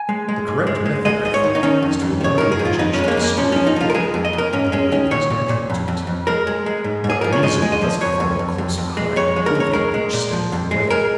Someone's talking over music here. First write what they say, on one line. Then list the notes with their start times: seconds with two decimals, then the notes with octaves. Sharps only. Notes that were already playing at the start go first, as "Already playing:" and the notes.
The correct method, I think, is to allow the imagination to scurry ahead in the way that is natural to it; but reason must follow close behind, proving each step of the way.
Already playing: G#5
0.09 G#3
0.29 G#3
0.48 G#2
0.67 G#3
0.86 G#3
1.05 G#3 D#5
1.25 G#2 D#5
1.34 C#5
1.44 D#3
1.55 D#4
1.63 D#3 C#4
1.82 F2
2.02 F2
2.21 D#3 C#5
2.38 D#3 A#4
2.52 G#4
2.59 G#2
2.65 F4
2.79 F2 D#4
2.94 C#4
2.98 G#3
3.04 C#4
3.08 A#3
3.17 F2
3.22 A#3
3.37 F3 C#4
3.52 F3 C#4
3.67 D#4
3.76 F3 F4
3.90 A#4
3.94 G#3 G#4
4.14 F2
4.25 D#5
4.33 F2
4.38 A#4
4.53 G#2 C#4
4.72 G#3 C#4
4.92 D#3 C#4
5.11 A#2 C#5
5.30 A#2
5.49 A#2
5.70 F2
5.88 F2
6.07 F2
6.27 G#3 A#4
6.47 G#3
6.66 G#3
6.84 G#2
7.04 G#2
7.10 G#4
7.21 F3 A#4
7.32 C#5
7.43 G#3 D#5
7.62 G#3
7.72 D#5
7.82 F3
8.01 F2 C#5
8.20 F2
8.39 F2
8.58 F2
8.78 F2
8.97 G#3
9.16 F2 C#5
9.36 G#3
9.46 A#4
9.55 F2
9.60 C#5
9.73 G#3 A#4
9.94 G#3
10.13 A#2
10.33 F3
10.52 F2
10.71 G#3
10.90 G#3 A#4